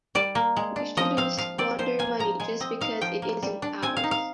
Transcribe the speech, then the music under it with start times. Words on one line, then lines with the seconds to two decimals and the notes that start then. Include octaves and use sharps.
We shouldn't squander money just because it isn't ours.
0.15 G3 D5
0.35 A#3
0.57 G#3
0.76 D4
0.97 F3 D#5
1.17 C4 F5
1.37 F3 F5
1.58 C4 D5
1.79 F3 C5
1.99 A#3 G#5
2.19 F3 A#5
2.40 G#3 G#5
2.60 C4 D#5
2.81 D#4 F5
3.01 F3 G5
3.22 A#3
3.43 G3
3.62 D4
3.82 C4 G#5
3.97 F5
4.04 D#4
4.11 F5